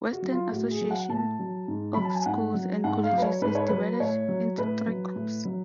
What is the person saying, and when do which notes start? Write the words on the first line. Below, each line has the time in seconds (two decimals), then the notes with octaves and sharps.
Western Association of Schools and Colleges is divided into three groups.
0.13 F#4
0.22 F#3
0.32 F4
0.51 A2 F#4
0.71 G#4
0.81 F#3
0.91 F#5
1.09 A2 A5
1.39 F#3
1.68 G#2
1.94 F#3 B5
2.05 A5
2.15 G#5
2.26 G#2 F#5
2.54 F#3
2.84 G#2 F#5
3.04 F5
3.13 F#3
3.18 B4
3.22 C#5
3.42 G#2 B4
3.55 C#5
3.68 F#3 B4
4.00 A2 C#5
4.28 F#3
4.57 A2 B4
4.87 F#3
5.16 A2
5.45 F#3